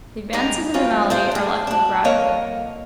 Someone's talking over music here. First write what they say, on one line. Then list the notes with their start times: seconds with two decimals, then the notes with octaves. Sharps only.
The advances of the malady are, luckily, gradual.
0.33 G#2 G3 G#3 D#5 A#5
0.74 F#3 G3 C4 C#4 D#4 F4
1.10 A3 F4 C5 G5
1.31 D4 G#4
1.67 D4 F#4
2.04 F2 D3 A#3 C#5 D#5 F5